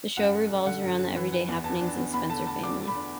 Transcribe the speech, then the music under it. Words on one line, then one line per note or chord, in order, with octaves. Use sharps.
The show revolves around the everyday happenings of the Spencer family.
F#2 F#5
A3
F#2
D3 F#5
F#2
F#2
E3
E3
E2
B3 A5
D4
E2
E2 B5
D3 A5
A3 A5
D4 D6
A3
B5
D4